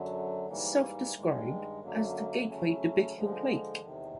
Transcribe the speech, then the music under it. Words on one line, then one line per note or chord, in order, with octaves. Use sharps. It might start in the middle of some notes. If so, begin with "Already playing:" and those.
Is self-described as the Gateway to Big Hill Lake.
Already playing: F#2 D3 F#3
G#2 E3 G3 A#3
G2 D#3 G#3
F#2 D3 F#3 A#3
C#3 F#3 A3 C#4
D3 F3 G#3
E2 C3 D#3